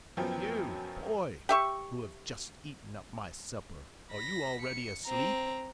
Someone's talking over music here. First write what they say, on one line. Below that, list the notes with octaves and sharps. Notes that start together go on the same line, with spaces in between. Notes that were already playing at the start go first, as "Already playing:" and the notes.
"You, boy, who have just eaten up my supper, are you already asleep?"
F#2 F3 F#3 B3 C#4 G5
G4 E5 C#6
B5 A#6
C#7
C4 A#5